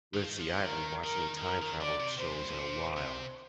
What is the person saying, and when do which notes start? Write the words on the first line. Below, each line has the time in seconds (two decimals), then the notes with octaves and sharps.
let's see, I haven't watched any time-travel shows in a while,
0.14 D#3
0.22 F3
0.29 D#3
0.40 F3
0.56 D3
0.65 D#3 A#4
1.04 D#3 A#4
1.37 D#3
1.42 F3 A#4
1.62 D#3
1.81 D3 D5
2.00 C3
2.19 C3 C5
2.31 F2
2.40 G2
2.49 A2
2.58 A#2
2.97 C3